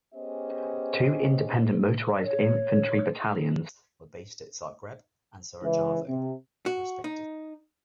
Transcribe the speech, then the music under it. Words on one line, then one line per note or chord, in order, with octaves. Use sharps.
Two independent motorized infantry battalions were based at Zagreb and Sarajevo respectively.
B3 C#4 G4 G#4 C5 D#5
C#5
C#2 E3
C3
F#4
D#4